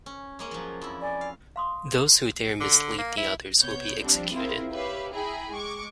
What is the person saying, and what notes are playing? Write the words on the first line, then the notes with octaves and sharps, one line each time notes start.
Those who dare mislead the others will be executed!
C#4
G#3 A#3 C#4
F3 F#3
F2 E4
D5 G#5
F5
F5 C6 D#6
D3
A#3
E4
C3 B3 C#5 G6
F3 G3 C4 D4
C4 E4 F4 G#4 A#4 C5
G4 B4 C#5 E5 F5
E4 G#4 G5 A#5 B5
G#3 C#6 D6